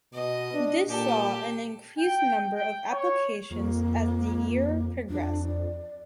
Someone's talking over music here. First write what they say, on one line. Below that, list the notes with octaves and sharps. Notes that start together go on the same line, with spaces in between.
This saw an increased number of applications as the year progressed.
B2 D#5
D4
A#2 G4 A4
G5
G5
C#5
F2 A#3
F2 D4
D5